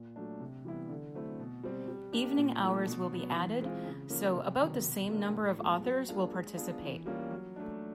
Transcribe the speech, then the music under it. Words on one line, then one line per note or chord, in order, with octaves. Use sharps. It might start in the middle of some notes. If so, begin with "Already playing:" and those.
Evening hours will be added so about the same number of authors will participate.
Already playing: A#2
F#3 A3 D4
C3
E3 G3 B3 E4
D3
F#3 A3 C4 E4
B2
G3 C4
G3
A#3 D4 G4
A#2
F3 A3 D4
B2
F#3 B3
E3
G#3 C4 F4
C#3
F3 A#3 C#4
C3
D#3 F#3 B3 D#4
B2
G3 A#3 D4
A2
F3 G#3 B3
F#3
A#3 D4 F4 G#4
G#3
B3 D4 F4 G#4
E3
G3 A#3 C#4 F4
F#3
A3 D4